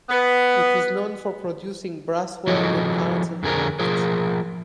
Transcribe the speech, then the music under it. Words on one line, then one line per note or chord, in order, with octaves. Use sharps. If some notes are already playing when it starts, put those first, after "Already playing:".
It is known for producing brassware and arts and crafts.
B3
F3 E4 F#4 G#4 A4 D#5
F2 D3 G#4 A#4
F3 F4 G#4 A#4